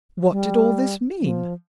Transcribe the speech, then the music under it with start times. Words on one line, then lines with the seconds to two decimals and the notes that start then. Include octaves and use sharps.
What did all this mean?
0.30 G3
1.21 F3